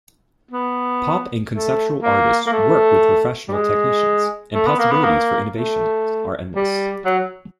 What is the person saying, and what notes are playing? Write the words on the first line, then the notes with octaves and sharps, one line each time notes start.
Pop and conceptual artists work with professional technicians, and possibilities for innovation are endless.
B3
A3
A#3
A#3
A3
G3
G#3
A3
B3
A#3
B3
A#3
A3
G3
F#3